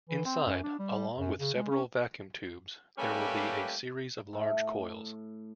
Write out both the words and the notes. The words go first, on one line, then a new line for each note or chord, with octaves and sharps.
Inside, along with several vacuum tubes, there will be a series of large coils.
E3
C4
F#2
D4
G3
F#2
C#3
G#3
C#4
G3 A3 A#3 C#4 G4 B4
A2